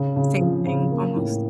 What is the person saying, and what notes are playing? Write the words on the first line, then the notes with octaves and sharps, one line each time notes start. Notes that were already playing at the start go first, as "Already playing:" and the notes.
same thing almost
Already playing: C#3
C#3
F3
C#3
A#3
A2